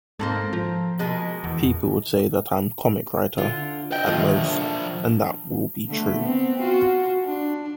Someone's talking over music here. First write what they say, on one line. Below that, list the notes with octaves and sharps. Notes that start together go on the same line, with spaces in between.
People would say that I'm comic writer, at most, and that will be true.
G#2 A#3 C4 A4
F3
B2 G#3 A#3
E2
D3 F4
D#5 E5 G5
D#2 A3 F4 D#5
F3 D4
D3 A3
B3 C4
F4 F#4
D4